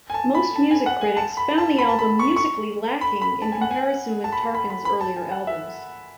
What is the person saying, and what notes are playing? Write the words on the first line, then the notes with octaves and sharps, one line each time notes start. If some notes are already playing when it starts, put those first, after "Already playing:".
Most music critics found the album musically lacking in comparison with Tarkan's earlier albums.
G#5
A5
B5
A5
G#5
F#5
G#5
A5
B5
A5
B5
A5
B5
C#6
C#6
B5
B5
A5
G#5
F#5
G#5
A5
B5
A5
B5
B5
B5
A5
G#5
F#5
E5